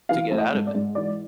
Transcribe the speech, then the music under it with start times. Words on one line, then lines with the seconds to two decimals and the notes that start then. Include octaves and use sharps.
To get out of it.
0.09 E3 F5
0.31 A3
0.38 D#5
0.53 G#2
0.67 D5
0.75 G#2
0.95 E3 D5